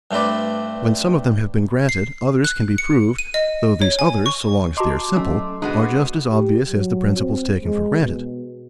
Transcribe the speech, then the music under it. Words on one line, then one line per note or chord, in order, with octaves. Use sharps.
When some of them have been granted, others can be proved, though these others, so long as they are simple, are just as obvious as the principles taken for granted.
G2 A3 C4 B4 D5
C7
F#6
C#7
D#7
D#5
C#5
G#5
C#6
F#4 D#5 A5 A#5 C6 D6
F#3 A3 C#4
G#3 B3 D4 F#4
G4
F#3
C4
G#3
B2